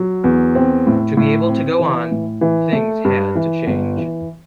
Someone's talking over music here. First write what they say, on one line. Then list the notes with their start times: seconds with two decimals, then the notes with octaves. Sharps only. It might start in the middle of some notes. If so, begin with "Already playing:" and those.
To be able to go on, things had to change.
Already playing: F#3
0.24 E2
0.55 C4
0.87 A2
1.17 A2
1.48 C4
1.79 E3
2.11 A2
2.41 E3
2.72 A3
3.05 G2
3.35 E3
3.67 G1
3.97 E3